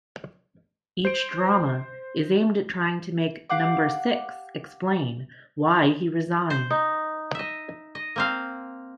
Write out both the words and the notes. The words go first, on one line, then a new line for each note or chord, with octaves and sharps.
Each drama is aimed at trying to make Number Six explain why he resigned.
C5 D7
G4 F5 F#5 D6
C5
D#4
D#5 E5
D#5
A#3 C4 F5